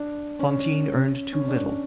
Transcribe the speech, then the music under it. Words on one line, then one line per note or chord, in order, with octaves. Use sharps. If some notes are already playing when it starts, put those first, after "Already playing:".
Fantine earned too little.
Already playing: D4
C#4
C#4
D4
C#4